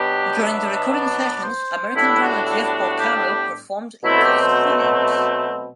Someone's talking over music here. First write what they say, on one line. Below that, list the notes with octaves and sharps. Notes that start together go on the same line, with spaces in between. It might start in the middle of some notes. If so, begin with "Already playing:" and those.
During the recording sessions, American drummer Jeff Porcaro performed in place of Williams.
Already playing: B2 F#3 B3 D4 G4
E5
D5
C5
A2 G3 B3 D4 E4
F#4
E4
F#4
G4
B2 F#3 A3 C4 E4
A4
G4
C5